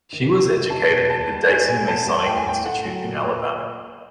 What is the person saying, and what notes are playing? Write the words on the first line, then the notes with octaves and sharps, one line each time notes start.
She was educated in the Dayton Masonic Institute in Alabama.
D#3
B3
G#3
D#4 A5
B2
A#3 A5
G3
D#4 G#5
B2 G#5
B3 A5
G3 A5
A2 G5
G#5
A2 G5
A3 F#5
F#3
A#2
A#2